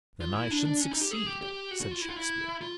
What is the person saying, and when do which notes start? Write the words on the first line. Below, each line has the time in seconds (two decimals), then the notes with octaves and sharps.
"Then I should succeed," said Shakespeare.
0.21 F4
0.35 E4
0.51 D4
0.66 D4
0.81 C#4
0.91 D#4
1.01 G4
1.11 G#4
1.26 G4
1.41 G4
1.71 F#4
1.81 F#4
1.91 F4
2.01 E4
2.09 F4
2.16 E4
2.61 F4